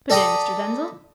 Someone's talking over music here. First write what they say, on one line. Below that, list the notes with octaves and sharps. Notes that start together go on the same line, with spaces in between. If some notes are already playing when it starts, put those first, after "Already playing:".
Good-day, Mr. Denzil.
A4 D5 G5 A#5 B5 D#6